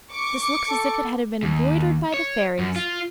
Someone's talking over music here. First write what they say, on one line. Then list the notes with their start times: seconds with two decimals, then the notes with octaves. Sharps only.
'This looks as if it had been embroidered by the fairies!
0.12 C#6 D6 C#7
0.70 A4
1.43 D#2
2.14 C#5
2.59 F#2
2.76 F4